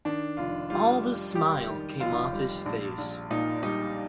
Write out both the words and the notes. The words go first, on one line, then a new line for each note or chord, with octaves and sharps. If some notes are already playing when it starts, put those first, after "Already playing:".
All the smile came off his face.
D#3 D4
F1 F4
G3 F4
G3
G3 G4
D#3
F1 F4
G3
A#1
A#1
A#2 D#4
G3 D#4